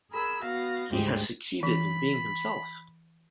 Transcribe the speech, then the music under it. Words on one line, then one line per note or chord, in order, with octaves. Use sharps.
He has succeeded in being himself.
G#4 A#4 B5 E6
B3 F#4 F5 A#6
D2 G#2 G3 G#3 G4 C5
E3 B5